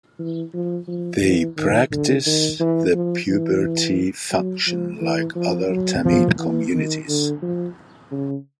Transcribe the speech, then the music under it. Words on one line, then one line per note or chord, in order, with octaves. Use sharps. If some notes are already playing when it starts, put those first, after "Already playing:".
They practice the puberty function like other Tamil communities.
E3
F3
F3
E3
D#3
D3
D#3
E3
F3
E3
F#3
F3
E3
F3
F#3
F3
E3
D#3
D3
F3
C#3